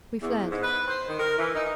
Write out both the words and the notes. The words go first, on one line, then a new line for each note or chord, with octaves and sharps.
We fled.
E2
G#2
B4
C5
D#3
A#4
E3
D#4